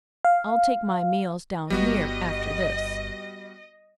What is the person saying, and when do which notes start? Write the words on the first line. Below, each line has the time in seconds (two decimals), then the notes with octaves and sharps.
"I'll take my meals down here, after this."
0.25 F5
1.70 G1 G3 B3 F#4 D#5